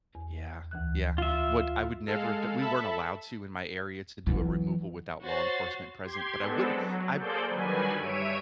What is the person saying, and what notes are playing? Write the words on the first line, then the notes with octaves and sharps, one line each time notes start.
Yeah, yeah. What I would never have d we weren't allowed to in my area to do a removal without law enforcement present, but I wouldn't I
E2
D2 E3 F#6
F4 E5
G#3 A4 F5
A4 E5 A5 B5
E3 F#3
F#4 C5 C#5 A6 C7
G4 C6 G#6
G#3 B3 C4 D4 A4
F#3
A#3 G#4 A4 C5 D5 G6
D3 D#3 F#3 G3 B4 G#5
G2 C#5 E5 D7 D#7